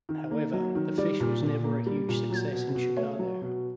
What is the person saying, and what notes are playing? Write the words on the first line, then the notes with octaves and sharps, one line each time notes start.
However, "The Fish" was never a huge success in Chicago.
D#3
A#3
F#3
D#3
G3 D5
A#2
A#2
A#3
G3
A#2
F#3
B2
B2
A3 C#5
F#3
B2